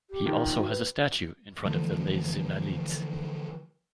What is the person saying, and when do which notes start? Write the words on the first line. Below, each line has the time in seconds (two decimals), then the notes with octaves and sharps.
He also has a statue in front of the Les Invalides.
0.10 G4
0.26 A#2 D#3 F3
0.52 F#4
0.69 B4
1.65 D3 E3 F3 A3